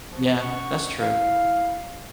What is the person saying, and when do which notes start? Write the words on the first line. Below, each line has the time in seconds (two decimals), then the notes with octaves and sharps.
Yeah, that's true
0.10 E3 F3 B3 F#4
0.41 C#4 F#5 C#6
0.99 E4 F5